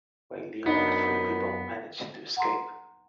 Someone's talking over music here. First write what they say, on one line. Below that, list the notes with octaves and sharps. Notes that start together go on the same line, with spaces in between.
While the other three people managed to escape.
F#2 B3 D4 D#4
F#5 A#5 C6